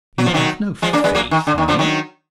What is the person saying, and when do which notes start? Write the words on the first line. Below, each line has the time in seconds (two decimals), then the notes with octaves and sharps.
"You have no faith in me?"
0.18 F#3
0.26 F3
0.34 D#3 F#3
0.82 F3 G#3
0.93 A#3 D4
1.04 G#3 B3
1.15 F#3 A#3
1.31 D#3
1.47 D3
1.58 D#3
1.68 D3 F3
1.79 D#3 F#3